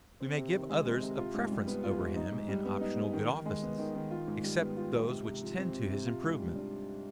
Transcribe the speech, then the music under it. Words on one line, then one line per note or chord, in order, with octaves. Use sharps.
We may give others a preference over him in optional good offices, except those which tend to his improvement.
C4
C3
D#3
G#3
C4
C3
F4
G#2
G3
B3
F4
G#2
D#4
G#2
G3
B3
D#4
G#2
D#3
D#3
G#3
B3
D#3
D#3
F4
G#2
G3
B3
F4
G#2
C3
C3
F3
C4
C3
C3
F4
G#2
G3
D4